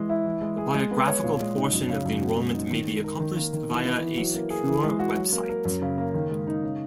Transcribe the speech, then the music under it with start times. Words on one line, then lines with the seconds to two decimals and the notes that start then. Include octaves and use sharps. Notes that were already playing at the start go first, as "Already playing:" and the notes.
The biographical portion of the enrollment may be accomplished via a secure web site.
Already playing: E3 G#3
0.09 E4
0.26 E3
0.42 G#3
0.58 G#4
0.74 G#3
0.91 B3
1.08 C#5
1.24 A#2
1.40 G#3
1.56 D#4
1.73 F#2
1.89 C#3
2.05 F#2
2.22 B2
2.38 G#3
2.55 D#4
2.71 D#3
2.87 G#3
3.04 A#4
3.20 D#3
3.36 A#3
3.53 D#3
3.69 E3
3.85 B3
4.01 E3
4.18 F#3
4.34 A#3
4.50 G#4
4.67 E3
4.84 G#3
4.99 F#4
5.16 F#3
5.32 A#3
5.49 A#4
5.65 F#2
5.82 C#3
5.98 A#3
6.14 D#3
6.31 G#3
6.47 D#4
6.63 C#3